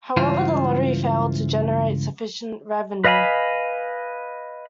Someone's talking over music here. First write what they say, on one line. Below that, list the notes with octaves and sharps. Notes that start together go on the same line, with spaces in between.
However the lottery failed to generate sufficient revenue.
C#2 G2 E3 F4 C5 F5
B4 D#5 F5 G#5 B5